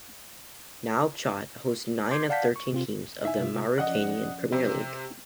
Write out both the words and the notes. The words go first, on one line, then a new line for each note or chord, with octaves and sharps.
Nouakchott hosts nine of the thirteen teams of the Mauritanian Premier League.
C6 D6 G6 G#6 C7
D5 F5 F#5 A5 G6 B6
C#6
C3 C4 F4
D#4 E4 E5 G#5
C3 A3 F4
F3 C#4 D5 D#5 F#5 F#6
C3